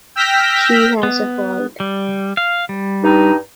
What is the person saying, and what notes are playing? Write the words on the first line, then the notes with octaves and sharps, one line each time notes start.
She has a fault.
G5 E6 F6 G6 A#6 B6
B3
G3
F5
G3
G2 D#4